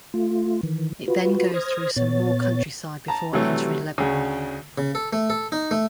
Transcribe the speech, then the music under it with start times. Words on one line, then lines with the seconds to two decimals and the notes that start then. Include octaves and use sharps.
It then goes through some more countryside before entering Lebanon.
0.14 A3 F4
0.63 D#3 E3
1.08 F4 F#4 B4
1.54 C5 D#6 F6 G#6 A#6
1.96 A#2 B3 C#5 A6
3.08 A5 A#5
3.33 C3 E3 F#3 G3 A3
3.98 D2 C#3
4.78 C#3
4.95 A4
5.13 A3
5.30 A4
5.52 D#4
5.71 A3